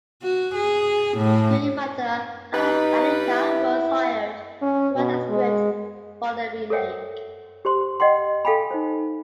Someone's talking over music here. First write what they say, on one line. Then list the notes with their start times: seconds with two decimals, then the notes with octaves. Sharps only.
Screenwriter Adam Alleca was hired to write the script for the remake.
0.23 F#4
0.55 G#4
1.18 A2
2.53 G3 D#4 B4
3.26 E4
4.62 C#4
4.96 B2
5.29 G#3
6.70 A4 A#4 C5 C#5 E5 F#5
7.65 G4 C5 C6
8.00 D#5 F#5 G5 C6
8.45 A4 F5 G5 G#5 B5
8.71 D#4 C5